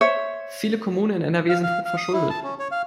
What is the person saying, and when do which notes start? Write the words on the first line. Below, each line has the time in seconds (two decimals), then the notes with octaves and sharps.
Viele Kommunen in NRW sind hochverschuldet.
0.01 C5 C#5 E5
1.49 F5
1.63 F5
1.85 F5
1.97 D#6
2.13 E4
2.30 A5
2.43 C#4
2.59 C#5
2.71 F5